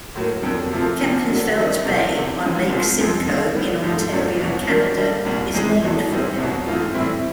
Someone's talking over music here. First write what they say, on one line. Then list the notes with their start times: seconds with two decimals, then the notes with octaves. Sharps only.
Kempenfelt Bay on Lake Simcoe in Ontario, Canada, is named for him.
0.15 A2 F#3 A#3
0.43 F2 D3 F#3 A#3
0.71 C3 F3 A3 C4 F4
1.00 D2 C3 F3
1.28 D2 D3 F#3 A#3
1.57 D#3 G3 C4 D#4
1.85 C2 C3 F3
2.13 E2 C3 E3
2.41 C#2 C#3 E3 G#3 C4
2.69 C2 B2 G#3 C4 F4
2.99 F2 C#3 F3 G#3 C4
3.27 D#2 D3 G3 C4 D#4
3.55 D2 D3 G3 B3
3.83 G#2 F3 A3
4.12 E2 C#3 F#3 A3 D4
4.40 C2 B2 F#3
4.68 F#2 D#3 F#3 A#3 D4
4.97 D3 G3 A#3 D4
5.25 C2 A#2 G3
5.53 F2 C3 E3 G#3
5.82 E2 B2 F#3 A3
6.09 G#2 E3 G3 C4 E4
6.38 C2 B2 F#3
6.66 G#2 E3 A3 C4 F4
6.94 A2 E3 G3 C4 E4